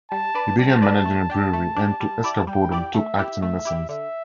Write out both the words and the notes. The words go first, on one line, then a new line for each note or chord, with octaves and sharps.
He began managing a brewery and, to escape boredom, took acting lessons.
G3 A5
D4 B4 D5
G3 A5
D4 B4 D5
A3
D4 G4
A3
D4 G4
G3
E4 G4 D5
G3 G5
E4 G4 D5
A3 E5
E4 G4
A3 E5
E4 G4
D3 E5